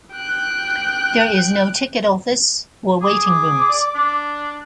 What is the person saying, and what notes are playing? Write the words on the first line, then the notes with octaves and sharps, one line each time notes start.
There is no ticket office or waiting rooms.
G5 F#6
G#4 D6
D5
D4